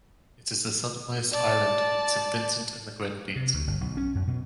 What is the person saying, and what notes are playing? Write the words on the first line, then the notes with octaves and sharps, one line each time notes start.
It is the southernmost island in Saint Vincent and the Grenadines.
D5 A5
C3
D2
G1
B1
C#4
F#2
B2